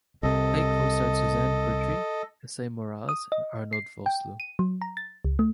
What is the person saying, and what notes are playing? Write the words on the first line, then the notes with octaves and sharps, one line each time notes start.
The play co-starred Suzanne Bertish, Esai Morales and Arnold Vosloo.
C2 C3 A4 D#5
D#6
D#5
C7
G5
D#7
F#3
A#5
A6
C#2
A3